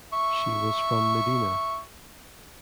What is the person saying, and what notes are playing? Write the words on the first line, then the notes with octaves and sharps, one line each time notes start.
She was from Medina.
E5 C#6